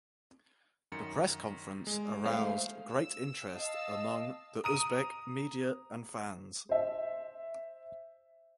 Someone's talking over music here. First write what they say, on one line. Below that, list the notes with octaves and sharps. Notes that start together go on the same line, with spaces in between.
The press conference aroused great interest among the Uzbek media and fans.
F#2 D#3 C#7
G#3
A3 C5 F5
E6
D#5 F5 A5 E6
A#5 D#6 D#7
C5 E5